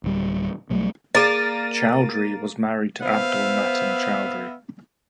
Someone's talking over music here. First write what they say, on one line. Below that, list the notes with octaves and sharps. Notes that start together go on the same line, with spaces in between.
Chowdhury was married to Abdul Matin Chowdhury.
D1 G3
B1 F#3 G3 A3
A#3 G#4 D5 A6 D#7
B3 C5 E5 F5